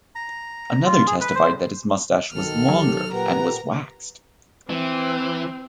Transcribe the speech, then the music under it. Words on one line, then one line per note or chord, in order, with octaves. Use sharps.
Another testified that his mustache was longer and was waxed.
A#5
F4
G#4
B4
C5
B1 D#3 A4 F6
F#3 G4
A#2 G4 A#4 B4 F#5 A#5
E3 C4